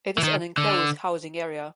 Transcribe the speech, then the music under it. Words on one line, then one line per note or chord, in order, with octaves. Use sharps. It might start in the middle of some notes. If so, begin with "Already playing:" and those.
It is an enclosed housing area.
E3
D#3
D3